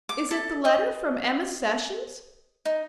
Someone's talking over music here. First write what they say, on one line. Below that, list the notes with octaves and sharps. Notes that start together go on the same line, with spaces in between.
Is it the letter from Emma Sessions?
D6
A4
D#5
D#4